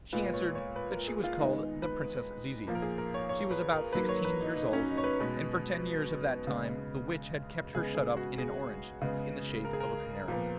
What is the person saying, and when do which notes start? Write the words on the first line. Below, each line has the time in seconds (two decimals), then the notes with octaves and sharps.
She answered that she was called the Princess Zizi; she was about sixteen years old, and for ten years of that time the witch had kept her shut up in an orange, in the shape of a canary.
0.13 A#2 G#3 B3 B4
0.34 C#5
0.55 C#5
0.76 B4
0.92 A#4
1.08 G#4
1.24 F4
1.39 D#3 G#3 B3 D#4
1.82 B4
2.67 A#2 F3 A#3
2.75 A#4
2.82 G#4
2.98 A#4
3.14 C#5
3.29 C#5
3.51 B4
3.72 A#4
3.93 D#3 F#3 A#3 B4
4.09 C#5
4.25 B4
4.41 D#4
4.56 D#4
4.73 C#4
4.89 D#4
4.98 C#5
5.04 B4
5.20 B2 G#3 B3 B4
6.47 C#3 G#3 B3
7.75 C#3 G#3 B3 G#4
7.95 G#4
8.17 F#4
8.38 G#4
9.01 C#3 G#3 B3
9.65 A#4
9.73 G#4
9.80 A#4
10.28 A#2 F3 B3